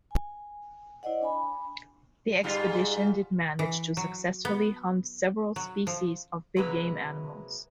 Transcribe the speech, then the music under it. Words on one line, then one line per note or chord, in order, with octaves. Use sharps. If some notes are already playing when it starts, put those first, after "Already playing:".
The expedition did manage to successfully hunt several species of big game animals.
G#5
E4 C5 D5 D#5 F#5
D4 G#5 B5
G#2 G3 F4
E3
F#3
B3
F#3
F3
C3 F#3 G#3 A#3 B4